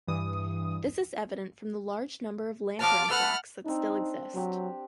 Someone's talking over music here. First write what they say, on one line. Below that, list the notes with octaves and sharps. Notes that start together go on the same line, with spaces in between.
This is evident from the large number of lantern clocks that still exist.
G2 E3 D#6
F3 F#3 A5 D6 F6
A3 A4 B4 F#5 F6
C4 D4 D#4
F#3 C4 G4